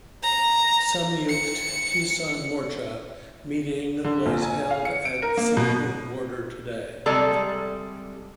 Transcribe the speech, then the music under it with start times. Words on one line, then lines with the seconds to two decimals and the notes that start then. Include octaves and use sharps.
Samyukt Kisan Morcha meeting was held at Singhu Border today.
0.23 A#5
1.29 C#7
4.04 D3
4.26 A#1
4.42 G#5
4.71 F5
4.85 C#7
5.05 D7
5.22 A#4
5.37 A#3
5.57 B2
7.06 C3 G3 G#3 A4 D5 A#5